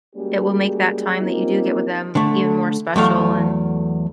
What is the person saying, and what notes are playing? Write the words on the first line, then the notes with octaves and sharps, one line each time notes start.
it will make that time that you do get with them even more special and,
G3 G#3 A#3 C#4 F#4 G4
A#3 C4 C#4 D#4 F4 G4
D3 A3
E2 F#3 A3 F5